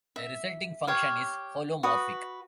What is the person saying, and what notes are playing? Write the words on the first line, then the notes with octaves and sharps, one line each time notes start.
The resulting function is holomorphic.
E5
G4 C#5 F5
F#4 B4 D#6